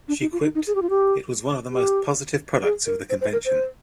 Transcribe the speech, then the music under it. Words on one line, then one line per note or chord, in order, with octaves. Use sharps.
She quipped, It was one of the most positive products of the convention.
D4
D#4
F4
D#4
D#4
G#4
G4
F4
G4
G4
G#4
A#4
C5
C5
A#4
C5